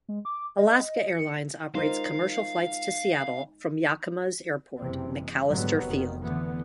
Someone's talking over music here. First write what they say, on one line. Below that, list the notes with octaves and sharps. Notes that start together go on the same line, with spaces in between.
Alaska Airlines operates commercial flights to Seattle from Yakima's airport, McAllister Field.
G#3
D6
D#5
C#7
G#3 D#4 F4 A#4 C5 F5
F#1 C3 E3 C4
G#3
G#2 B2 D3 F#3 G3 B3
F1 D#3
D3 E3 A3 B3